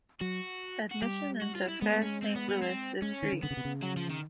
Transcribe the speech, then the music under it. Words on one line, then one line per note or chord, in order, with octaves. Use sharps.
Admission into Fair Saint Louis is free.
F#3 F#4
F#4
G3 G4
F#4
F4
E4
G#3 B3
C#4
C4
B3
B3
C4
G#3 C#4
D#3
D3
D3 B3
C#3
C3
C#3
F#3
F3
D#3